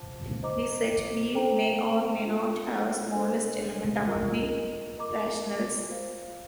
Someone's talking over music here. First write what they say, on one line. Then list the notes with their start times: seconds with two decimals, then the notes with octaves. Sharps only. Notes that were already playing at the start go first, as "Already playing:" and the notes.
The set "B" may or may not have a smallest element among the rationals.
Already playing: F4 C5 F5 A5 D6
0.43 C5 D#5 A#5 D6
1.34 A4 C5 G5 A#5
2.24 D4 F4 A4
3.16 D4 A4 C5 D#5
4.07 F4 A#4 D#5 A#5
4.97 A#4 D#5 A#5 D6
5.88 F4 C5 F5